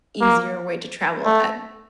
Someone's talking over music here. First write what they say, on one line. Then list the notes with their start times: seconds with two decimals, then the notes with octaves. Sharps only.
easier way to travel at
0.21 A#3
1.25 A3